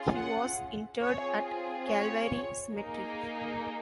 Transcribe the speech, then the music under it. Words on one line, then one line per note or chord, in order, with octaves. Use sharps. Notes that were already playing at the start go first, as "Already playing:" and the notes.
He was interred at Calvary Cemetery.
Already playing: C#4 F4 G#4
F#5
C4 F4 G#4 C#5
C#5
A#3 D#4 G#4